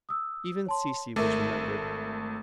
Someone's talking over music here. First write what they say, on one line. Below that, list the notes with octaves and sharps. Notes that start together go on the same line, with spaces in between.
Even Cecy was remembered.
D#6 E6
C#5 A5 C6
G#1 A3 A#4 E5 D6